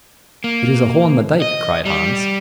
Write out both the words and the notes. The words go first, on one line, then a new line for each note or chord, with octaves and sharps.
"It is a hole in the dike!" cried Hans.
A#3
D#5
G3